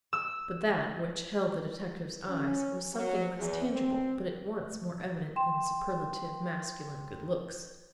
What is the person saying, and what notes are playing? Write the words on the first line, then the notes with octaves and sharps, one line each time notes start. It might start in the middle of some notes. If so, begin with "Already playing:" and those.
But that which held the detective's eyes was something less tangible but at once more evident than superlative masculine good looks.
E6
C#4
F#3
E2
C4
G5 C6 E7